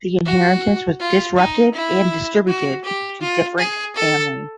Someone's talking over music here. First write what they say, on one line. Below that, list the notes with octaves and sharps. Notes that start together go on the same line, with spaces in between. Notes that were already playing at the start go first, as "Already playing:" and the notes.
The inheritance was disrupted and distributed to different families.
F#4
F4
D#4
E4
F#4
G4
F4
G#4
A4